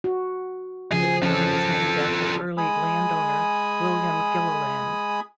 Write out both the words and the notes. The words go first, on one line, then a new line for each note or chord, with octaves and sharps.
The town is named after early landowner William Gilliland.
F#4
C#3 F3 G#4
F3 C#4 A4
G#3 G#5 B5 D#6